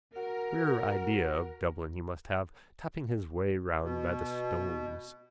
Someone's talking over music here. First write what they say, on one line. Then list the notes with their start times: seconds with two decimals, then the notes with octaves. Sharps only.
Queer idea of Dublin he must have, tapping his way round by the stones.
0.16 F#4 A#4
3.83 B2